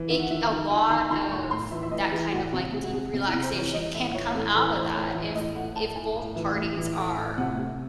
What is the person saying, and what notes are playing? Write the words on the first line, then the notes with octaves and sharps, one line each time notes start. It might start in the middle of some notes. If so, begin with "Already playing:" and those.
it c a lot of that kind of, like, deep relaxation can come out of that if if both parties are
Already playing: E3
D#3 E5
F#5
D#3 E5
D#3
D#3 G#5
D#3 C6
D#3 C6
A2 C#6
A2 C6
E3 E5
E5
E3 D#5
E3 G#4
A2 F#4
C3 F#4
C3 G#4
F#4
C3 G#4
C3
E4
C3
C5
E3 C#5
E3 D#5
A2 E5
E3 C#5
A2 A4
E3 A4
E3 C5
A2 C#5
E3
E5
A2 D#5
A2 F#5
A2 A5
A2 G#5
A2
E3
A2
E3
A2
A2
C3 F#5
C3